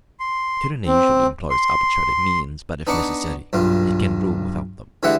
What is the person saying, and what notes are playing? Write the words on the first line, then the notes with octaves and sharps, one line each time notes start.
Tyranny usually employs arbitrary means, but, if necessary, it can rule without them.
C6
C4
C6
B3 D4 D#4 C#6 D6
B1 G2 F4
D3 E3 G#3 G4 E5 F#5